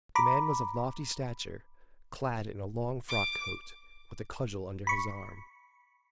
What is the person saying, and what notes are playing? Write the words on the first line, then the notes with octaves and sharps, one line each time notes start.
The man was of lofty stature, clad in a long frock-coat, with a cudgel under his arm.
A#5 B5 D6
D6
B5 C#6